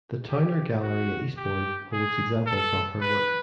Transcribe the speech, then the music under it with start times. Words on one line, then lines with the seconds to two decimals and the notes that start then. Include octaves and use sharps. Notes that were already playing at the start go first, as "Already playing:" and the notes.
The Towner Gallery in Eastbourne holds examples of her work.
0.28 G4
0.83 F#4
1.37 G4
1.92 G#4
2.46 A4
3.01 B4